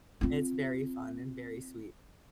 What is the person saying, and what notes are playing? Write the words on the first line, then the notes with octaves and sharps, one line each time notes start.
It's very fun and very sweet.
C4 F4